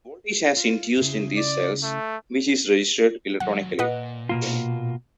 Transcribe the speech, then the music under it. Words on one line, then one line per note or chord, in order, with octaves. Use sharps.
A voltage is induced in these cells, which is registered electronically.
F4
C#3 E4
D5
A3
D#2 F#3 F#5
A#2 B4 D#5 F#5
B2 A#3 F4